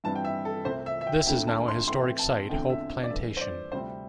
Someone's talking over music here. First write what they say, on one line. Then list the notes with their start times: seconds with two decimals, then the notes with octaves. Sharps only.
This is now a historic site, Hope Plantation.
0.04 G2 E3 G3 C4 A5
0.16 G5
0.25 E5
0.45 A4
0.65 C2 C3 A3 C4 C5
0.86 E5
1.01 E5
1.07 G5
1.27 D2 D3 A3 C4 G5
1.47 A5
1.68 C6
1.88 A2 E3 C4 C6
2.19 A5
2.50 E2 D3 A3 C4 G5
2.70 E5
3.03 D5
3.10 G2 E3 A3 E5
3.37 C5
3.41 D5
3.72 D2 C3 G3 C4 C5